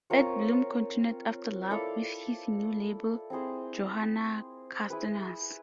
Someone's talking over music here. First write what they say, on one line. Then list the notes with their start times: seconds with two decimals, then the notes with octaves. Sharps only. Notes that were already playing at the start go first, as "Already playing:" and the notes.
Atte Blom continued after Love with his new label, Johanna Kustannus.
0.10 C4 F4 A#4 C#5
1.70 E4 A4 D5 F5
3.30 C4 E4 G#4 C5
4.90 E4 G#4 B4